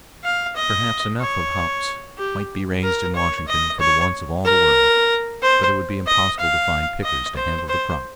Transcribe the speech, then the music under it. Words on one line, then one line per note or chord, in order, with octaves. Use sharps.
Perhaps enough of hops might be raised in Washington for the wants of all the world, but it would be impossible to find pickers to handle the crop.
F5
D#5
C#5
G4
A#4
C#5
D#5
C#5
A#4
C5
D#5
F5
D#5
C5
C5